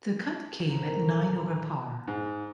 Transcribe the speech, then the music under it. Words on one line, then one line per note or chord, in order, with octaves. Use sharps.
The cut came at nine over par.
A#1 D3 D#3 A#5
G#2